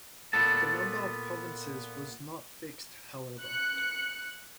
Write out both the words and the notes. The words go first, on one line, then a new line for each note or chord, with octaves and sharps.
The number of provinces was not fixed, however.
A#2 B3 A4 A5
F#6 C#7